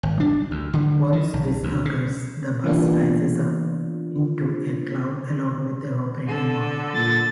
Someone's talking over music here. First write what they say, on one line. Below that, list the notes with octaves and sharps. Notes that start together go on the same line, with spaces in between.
Once this occurs, the bus rises up into a cloud along with evaporating water.
G#1
D4
D2
D3
D#3
B1
D2
C#3
E3 G3 A#3 B3 D4 F4
D3 A4
A#2 A6